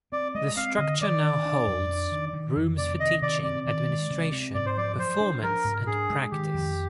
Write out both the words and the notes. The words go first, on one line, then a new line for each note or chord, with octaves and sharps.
The structure now holds rooms for teaching, administration, performance and practice.
C4 D5
G#3 D#5
C4 F5
D3 D#5
D#3 D5
D4
D4
F2
D4
D#3
D#3
F2
C3 D5
D#3 D#5
C3 D5
C4 D5
D#3 D5
G#3
C3
C4
G#2 D5
C5
F3 D5
F3 C5
D4
F3 A#4
G#2
D4 G#4
G#3
D#3 G4
F2